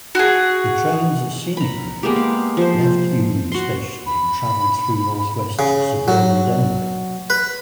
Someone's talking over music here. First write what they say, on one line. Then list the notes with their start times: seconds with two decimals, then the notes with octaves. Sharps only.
The train's scenic route left Union Station and traveled through northwest suburban Denver.
0.15 F#4 G#4
1.57 A#5 B5
2.03 G#3 A#3 B3 G4
2.16 F5
2.57 F3 C5
3.52 F#4 C6
4.06 B5
5.59 C#3
6.08 F#3
7.30 B4